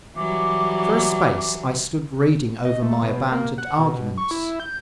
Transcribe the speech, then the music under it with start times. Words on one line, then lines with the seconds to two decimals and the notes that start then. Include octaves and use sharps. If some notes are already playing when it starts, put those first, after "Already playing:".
For a space I stood reading over my abandoned arguments.
0.16 E3 F#3 G3 D6
2.65 D#5
2.82 A3
3.02 B2
3.32 A#3
3.58 F#5
3.78 B2
4.18 C#6
4.31 E4
4.60 G6